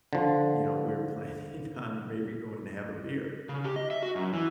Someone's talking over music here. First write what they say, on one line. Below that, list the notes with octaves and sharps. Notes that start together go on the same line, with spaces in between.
you know, we're planning on maybe going to have a beer.
D3 F3
C#3
G4
D#5
E5
F#4
F#2
E3